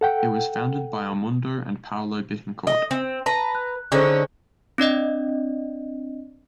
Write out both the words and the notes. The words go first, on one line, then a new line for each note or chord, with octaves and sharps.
It was founded by Edmundo and Paulo Bittencourt.
A4 F#5 G5
D#5
C4
B4 A5 A#5
F#6
D3 C#4 D#4 G#4 A4 C5
C4 D4 D5 D#5